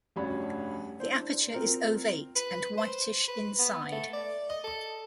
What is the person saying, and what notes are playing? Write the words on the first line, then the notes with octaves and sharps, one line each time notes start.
The aperture is ovate and whitish inside.
F1 G2 C#4 D4 F#4 B5
D4 E4 C5
C4 F4 A#4
B4
C5
B4
B3
A3
D5
D#5
A4